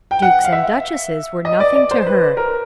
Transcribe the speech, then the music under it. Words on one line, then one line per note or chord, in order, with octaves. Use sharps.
Dukes and duchesses were nothing to her.
G5
F#5
F5
E5
D#5
D5
D5
C5
B4
A#4